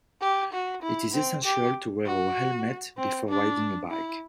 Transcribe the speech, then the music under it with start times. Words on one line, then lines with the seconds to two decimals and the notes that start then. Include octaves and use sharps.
It is essential to wear a helmet before riding a bike.
0.22 G4
0.53 F#4
0.83 E4
1.14 C4
1.45 G4
2.06 F#4
2.98 C4
3.29 D4
3.91 E4